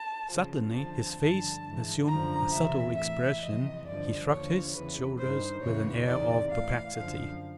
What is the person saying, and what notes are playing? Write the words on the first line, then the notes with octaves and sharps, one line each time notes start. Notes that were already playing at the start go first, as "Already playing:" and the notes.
Suddenly his face assumed a subtle expression, he shrugged his shoulders with an air of perplexity.
Already playing: A5
F2 C#3 F3
F2 D3 F3 A5
G2 D3 F3 A5
G#2 E3
F#2 D3 F3 A#5
E2 C3 E3 E5
A2 E3 E5
F2 C3 E3 D#5
G2 D3 F3 D5
D#2 D3 F3 C#5
E2 C#3 E3 B4
G2 D#3 C5
E2 C#3 E3 C#5
E2 C3 D#3 D5
A2 E3 F5
F#2 D3 F3 F5